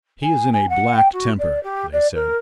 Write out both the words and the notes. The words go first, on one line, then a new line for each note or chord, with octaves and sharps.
"He is in a black temper," they said.
G#5
G#5
F#5
G5
F#4
D5
G4
D5
A#4